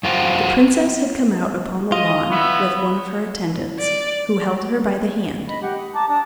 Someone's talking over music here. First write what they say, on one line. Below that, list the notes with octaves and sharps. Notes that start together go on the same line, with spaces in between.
The princess had come out upon the lawn with one of her attendants, who held her by the hand.
F#2 F4 F#4 C5 G5
F4 D#5
B3 C#5 E5
D5
D#5 B5
G4 F#5
D#6
A5 A#5 D6
D4 A5 D#6